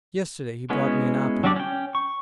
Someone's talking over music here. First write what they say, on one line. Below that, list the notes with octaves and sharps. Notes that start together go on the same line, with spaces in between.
Yesterday he brought me an apple.
G#3 B3 C#4 E4 F#4
F#3 G3 D4 G4 D5
C#4 G5
C#6